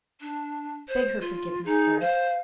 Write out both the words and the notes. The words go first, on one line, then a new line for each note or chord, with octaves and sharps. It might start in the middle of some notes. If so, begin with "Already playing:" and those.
Beg her forgiveness, sir.
D4
C5
F4
D#4 G#4
C5 F5